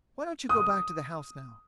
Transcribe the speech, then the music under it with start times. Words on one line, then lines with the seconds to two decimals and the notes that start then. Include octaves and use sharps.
"Why don't you go back to the house now!"
0.49 D#6